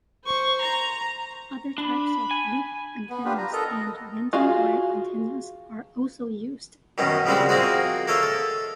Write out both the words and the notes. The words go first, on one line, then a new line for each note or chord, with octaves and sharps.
Other types of loop antennas and random wire antennas are also used.
C5 C#6
A#5
D4 B5
G#5
B3
D4 F4 G4 B4
B4 A#5
A4 A#4 D#5 A#5
F4 F#4 G#4 F5
F#2 B2 D#3 C#4
C#3 F3 G3 G#3 C4 F#4
F3 A#3 C4 D#4 F#4 G#4
A#3 A4 C#5 D#5 E5
A4